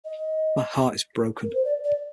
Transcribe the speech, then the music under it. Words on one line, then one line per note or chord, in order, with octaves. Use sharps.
My heart is broken.
D#5
A#4
C5
D5
D5